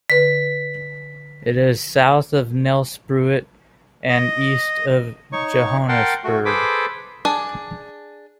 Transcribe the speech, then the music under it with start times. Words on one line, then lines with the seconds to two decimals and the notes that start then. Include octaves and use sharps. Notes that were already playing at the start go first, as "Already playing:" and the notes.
It is south of Nelspruit and east of Johannesburg.
0.10 D3 B4 B6
4.10 D#5
5.32 D#4 C#5 C#6
5.88 A#4 F#5 G5 A5 C6
6.24 A3 F#4
6.45 G#4 A4 B4 C5 B5 D6
7.25 D4 G#4 A5